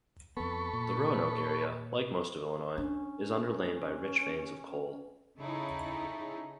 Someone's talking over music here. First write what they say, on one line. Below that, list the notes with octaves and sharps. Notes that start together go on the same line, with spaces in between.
The Roanoke area, like most of Illinois, is underlain by rich veins of coal.
F2 B3 A4 B5 C#6
A#2
C#4 D4
C#3 D#4 E4 G#4 A4 C#5